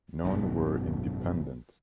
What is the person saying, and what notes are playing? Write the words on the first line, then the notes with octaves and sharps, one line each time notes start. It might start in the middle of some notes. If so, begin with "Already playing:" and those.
None were independent.
G#1 F#2 B2 D#3